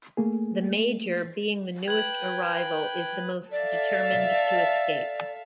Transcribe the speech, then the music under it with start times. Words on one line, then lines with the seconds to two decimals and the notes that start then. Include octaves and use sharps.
The major, being the newest arrival, is the most determined to escape.
0.17 A3 A#3 G#4
1.88 B4 G5 G#6 F#7
3.52 A4 D5 E5 F5